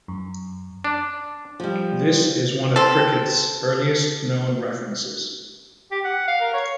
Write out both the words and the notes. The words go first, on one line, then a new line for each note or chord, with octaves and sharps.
This is one of cricket's earliest known references.
F#2
D4
F3 G3
C4 A4
G4
F#5
F5
A#4
C#5